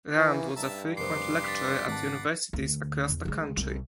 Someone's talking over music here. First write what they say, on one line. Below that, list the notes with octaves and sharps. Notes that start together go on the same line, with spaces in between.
Rand was a frequent lecturer at universities across the country.
D#3 E3 A#3
G2 E5 A5 A#5
F1 B3 A#4 C5 C6 D6 C7
A6 B6
G#1 F#5 A5 D6
D2
E2
D2 G#3
C2